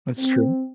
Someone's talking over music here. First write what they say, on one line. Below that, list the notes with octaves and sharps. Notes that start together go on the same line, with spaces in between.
That's true.
C4